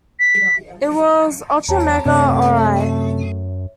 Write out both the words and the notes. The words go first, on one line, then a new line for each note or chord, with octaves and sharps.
It was "Ultramega Alright".
B6
E2 C#5 A5 A#5
F#2 C3 A3 C#5 E5